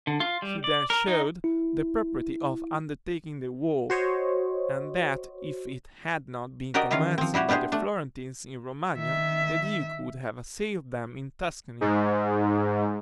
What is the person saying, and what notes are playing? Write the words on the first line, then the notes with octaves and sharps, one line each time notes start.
He then showed the propriety of undertaking the war; and that if it had not been commenced by the Florentines in Romagna the duke would have assailed them in Tuscany.
D3
F4
G3
D5
A#4
D#4
E4
F#4 C5 C#5 D#5
F#4 G4 A#4 D5 D#5
D#3 E3 C#4 F4 F5
F3 C4
G3 E4 F#4 G4
B3 D4 G4 G#4 C5
A3 D4
D#3 E5
G#2